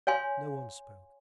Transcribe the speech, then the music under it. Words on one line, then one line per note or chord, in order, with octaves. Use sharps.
No one spoke.
C#5 F5 G#5 C6